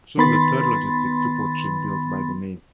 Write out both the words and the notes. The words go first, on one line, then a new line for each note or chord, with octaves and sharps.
She was the third logistic support ship built by the Navy.
D#3 B3 B5 C6 A6